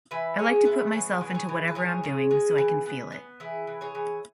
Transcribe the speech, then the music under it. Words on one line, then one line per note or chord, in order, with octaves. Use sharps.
I like to put myself into whatever I'm doin' so I can feel it.
E3 B4 E5
G#3 G#4 C#5
B3 B4 E5
E3 G#4 C#5
E3
B4
G#4 C#5
E3
B4
E3 G#4 C#5
G#3
G#3
E3
B3
B3
E3 E4 G#4
E3
G#4 C#5
E3